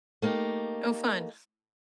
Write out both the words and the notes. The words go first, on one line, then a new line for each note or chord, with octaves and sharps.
Oh, fun.
A3 A#3 D#4 G4